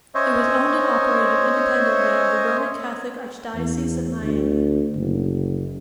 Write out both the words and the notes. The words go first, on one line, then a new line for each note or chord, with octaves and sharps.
It was owned and operated independently of the Roman Catholic Archdiocese of Miami.
C#4 C5 C#5 D#5 E5
E2
D2
F#1